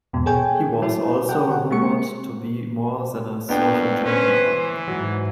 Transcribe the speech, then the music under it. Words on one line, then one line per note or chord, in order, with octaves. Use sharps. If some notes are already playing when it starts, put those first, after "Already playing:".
He was also rumored to be more than a social drinker.
E2 G#2 B2
G#4 A4 C#5 G5 G#5
F#3 E4
A4 A#4 F#5 G5
D3 F#5
G#3 A#3 C4 C#6 C#7
F2 B3 D4 G5
C#4 B4 C5
E3
G#2 F#3